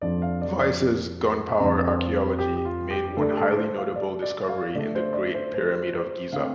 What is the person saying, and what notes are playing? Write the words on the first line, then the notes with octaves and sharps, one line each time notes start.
Vyse's gunpowder archaeology made one highly notable discovery in the Great Pyramid of Giza.
F2 F3 D4 D5
F5
D5
D5
F2 D3 F3 C4
G4
G4
F4
G4
D3 A3 D4 A4
G4
A4
C5
F5
D5
D5
F5
D3 A3 D4 D5
C5
D5
C5
C5
C5
D3 A3 C4 F5